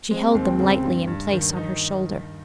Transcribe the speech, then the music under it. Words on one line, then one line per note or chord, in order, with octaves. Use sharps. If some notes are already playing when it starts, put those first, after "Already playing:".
She held them lightly in place on her shoulder.
G#3 C4
D#2
C#3
G2
G2
D#3
D#4